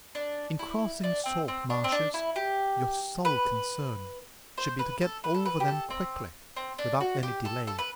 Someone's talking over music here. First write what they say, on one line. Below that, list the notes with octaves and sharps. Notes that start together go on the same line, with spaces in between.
In crossing salt-marshes, your sole concern should be to get over them quickly, without any delay.
D4
E4
D4
C4
C4
D4
C4
D4
E4
G4
B4
C5
B4
A4
B4
A4
B4
G4
A4
C4
C4
D4
F#4
G4
A4
A4
B4